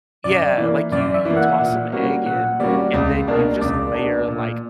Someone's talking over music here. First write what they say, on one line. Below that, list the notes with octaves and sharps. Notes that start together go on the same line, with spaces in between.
Yeah, like, you you toss some egg in, and then you just layer, like,
F#2 D5
E3 A#3
F#2 D5
E5
E3 A#3
F#5
A#2
G3 A#3 C#4 F#4
A#2 F#5
G3 A#3 C#4 F#4 D5
C#2
B2 A#3 D4 A#4
C#2 D5
B2 A#3 D4 A#4
A#2